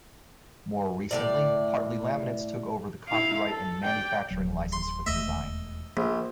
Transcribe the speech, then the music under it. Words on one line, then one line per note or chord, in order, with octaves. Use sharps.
More recently Hartley Laminates took over the copyright and manufacturing licence for the design.
A2 E3 D5
E4 F5
A4
D5 G5
D1 F#3
C6
E1 D#2 A3 D#5 E5
A#1 A#3